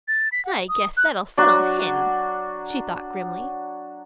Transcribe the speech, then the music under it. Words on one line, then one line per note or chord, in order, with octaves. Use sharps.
"I guess that'll settle him," she thought grimly.
A6
B6
F#5
D#6
F#6
F#3 D4 F#4